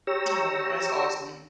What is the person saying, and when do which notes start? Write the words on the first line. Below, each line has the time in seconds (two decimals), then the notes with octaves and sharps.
Aw, that's awesome.
0.07 G4 C#5 A#5 E6